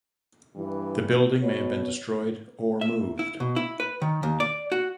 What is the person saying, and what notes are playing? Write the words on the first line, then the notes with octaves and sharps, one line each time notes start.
The building may have been destroyed or moved.
G2 E3
B2 C#5
E5
E4
B2
E4
B4
D#3
D#2
D5
F#4